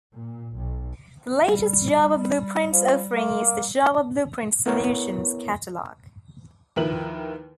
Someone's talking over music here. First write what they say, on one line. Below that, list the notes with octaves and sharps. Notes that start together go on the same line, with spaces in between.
The latest Java BluePrints offering is the Java BluePrints Solutions Catalog.
A#2
B1
G3
F3
A#3
B3 E4 A#4 C#5
D#2 F3 E4 A#4 B4 F#7